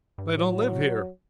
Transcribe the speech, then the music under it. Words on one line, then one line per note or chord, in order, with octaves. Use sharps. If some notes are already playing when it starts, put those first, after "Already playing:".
They don't live here.
G2
G#2
A2 F#3